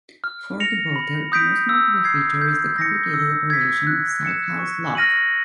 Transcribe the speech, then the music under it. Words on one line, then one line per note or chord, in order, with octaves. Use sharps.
For the boater, the most notable feature is the complicated operation of Sykehouse Lock.
F6
A#6 C#7 F7
B5
D#6 G6 B6 D7
E6
G#6 C7
G6
A#6 C#7
E6
G#6 B6
F#6
A6 C#7 E7
C#6
F6 A#6 D#7 F#7